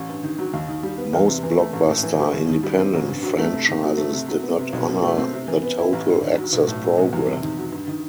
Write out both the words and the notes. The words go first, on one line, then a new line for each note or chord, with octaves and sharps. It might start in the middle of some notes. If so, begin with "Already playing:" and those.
Most Blockbuster independent franchises did not honor the Total Access program.
Already playing: A1
G2
D#3
F#3
D#2
D#3
G3
B3
E2
C3
E3
A3
A1
A2
E3
G3
D#2
D#3
G3
C4
A1
G2
F#3
A3
C3
D#3
F#3
A3
C3
F#3
B3
C3
B1
B2
A3
C4
C3
E3
B3
E4
A1
G2
D#3
F#3
B1
A2
F#3
B1
E2
C3
D#3
F#3
G2
D#3